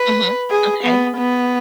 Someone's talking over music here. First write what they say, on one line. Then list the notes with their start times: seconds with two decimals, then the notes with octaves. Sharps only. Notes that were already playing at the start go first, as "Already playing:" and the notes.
Mhm. Okay.
Already playing: B4
0.51 G#4
0.84 B3
1.17 B3